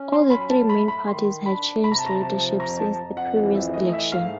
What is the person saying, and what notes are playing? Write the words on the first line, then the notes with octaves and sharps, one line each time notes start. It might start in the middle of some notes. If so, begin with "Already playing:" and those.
All the three main parties had changed leadership since the previous election.
Already playing: C#4
C6
F#3 B5
A5
A3 B5
B5
D#3 C6
D4 B5
C3 B5
A#5
A5
A#5
F3 A5
F2 A#5
A5
F2
F#5
E3 F#5
E5
A3 D#5
D#5
E5
G#2 F5